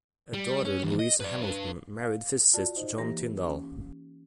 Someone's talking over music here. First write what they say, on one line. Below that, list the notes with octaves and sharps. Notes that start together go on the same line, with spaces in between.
A daughter, Louisa Hamilton, married physicist John Tyndall.
G3
C#4
D#2 E3
D#5
B4 D5
D4 B4
F5
F4 F#4 D5 A5
D#4 C5 D#5
E3 A#3 G4 A#6
C#4